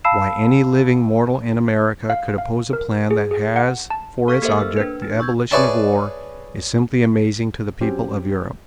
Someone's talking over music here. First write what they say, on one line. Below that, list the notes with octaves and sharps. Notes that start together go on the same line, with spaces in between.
Why any living mortal in America could oppose a plan that has for its object the abolition of war is simply amazing to the people of Europe.
F5 A5 B5 E6 C7 E7
F5
F5
A#4
G#4
G#4
F#5
A5
A4 F5 C#6 F6 B6
A#3 G4 A4 A#4 C5 E5
E6 F6
D4 B4
D#4
C#6 E6 G6 G#6
G#4 B4 C#5 D5 E5 A5
F#3 C4 C#4 G4